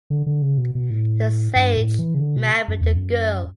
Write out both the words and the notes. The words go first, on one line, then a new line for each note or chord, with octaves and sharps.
The sage married the girl.
D3
D3
C#3
B2
B2
A2
G2
A2
E3
C#3
D3
B2
F#2
E2
F#2